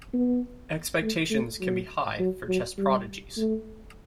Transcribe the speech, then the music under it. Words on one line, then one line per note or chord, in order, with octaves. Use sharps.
Expectations can be high for chess prodigies.
B3
A3
A3
F#3
F#3
F#3
G3
A3